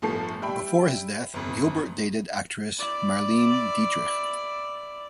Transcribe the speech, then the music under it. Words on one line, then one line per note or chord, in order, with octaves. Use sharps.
Before his death, Gilbert dated actress Marlene Dietrich.
G1 A2 F3 A3 A4 C7
G3 E5 G5 B5
G1 F2
E4 D5